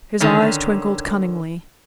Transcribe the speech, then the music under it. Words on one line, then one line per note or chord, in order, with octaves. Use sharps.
His eyes twinkled cunningly.
D3 D#3 C#4